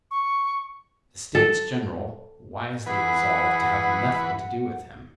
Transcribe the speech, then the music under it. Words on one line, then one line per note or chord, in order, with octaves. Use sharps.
The States-General wisely resolved to have nothing to do with him.
C#6
A4
E3 G#4 B4 F#5